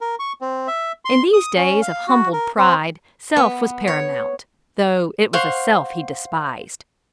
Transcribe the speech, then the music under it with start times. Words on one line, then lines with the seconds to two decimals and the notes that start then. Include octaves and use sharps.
In these days of humbled pride self was paramount, though it was a self he despised.
0.01 A#4
0.19 C#6
0.41 C4
0.68 E5
1.05 C6
1.33 D#6
1.56 C#4
1.82 F5
2.08 F#4
2.33 A#4
2.57 C4
3.36 B3
3.88 C#5
5.33 C5 F5 F#5 C#6